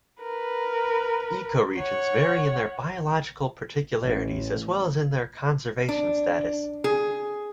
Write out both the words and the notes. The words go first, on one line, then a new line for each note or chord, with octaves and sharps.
Ecoregions vary in their biological particularities, as well as in their conservation status.
A#4 B4
C#5 F#5
A1
D4
G#4